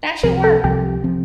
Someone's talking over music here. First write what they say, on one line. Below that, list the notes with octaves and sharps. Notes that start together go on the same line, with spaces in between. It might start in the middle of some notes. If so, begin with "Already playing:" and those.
That should work.
C2 C3 F3 C4 A#4
A4
C2 C3 F3 C4 G4
C3 F3 C4